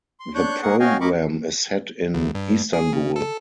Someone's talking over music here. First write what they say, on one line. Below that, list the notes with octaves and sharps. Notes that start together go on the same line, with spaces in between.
The program is set in Istanbul.
C6
D4 C#5 C#6 F#6 G6
A#3 G#4 A#4 F#5 C#6
C#4 F#4 D#5 F5 G5 G#5
A#3 A#4 D#5 B5 C#6 D6
D2
G2
G#4
C#3
A4